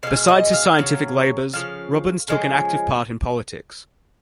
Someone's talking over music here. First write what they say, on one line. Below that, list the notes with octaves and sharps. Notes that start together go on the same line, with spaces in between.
Besides his scientific labours, Robins took an active part in politics.
B2 G#3 F5
D#5
F5
C#3 F#3
C#3 F3 F5
C#3 F3 G#3